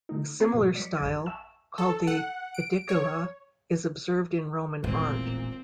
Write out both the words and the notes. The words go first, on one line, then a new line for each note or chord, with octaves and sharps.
A similar style, called the Aedicula, is observed in Roman art.
D3 A3 D#4
C4 A#5 G#6 C7
G#2 B2 F3 F#4
F#3 D5 B6 C#7
A1 F#2 G#4 D5 G#6 A6
E5 G#5 A5 C#6 E6 E7
A4
F#5
D7
C#5
E1 A1 E2 A#2 C4